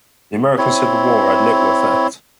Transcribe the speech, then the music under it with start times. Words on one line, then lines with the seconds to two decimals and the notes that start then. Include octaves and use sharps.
The American Civil War had little effect.
0.58 C4 E4 C#5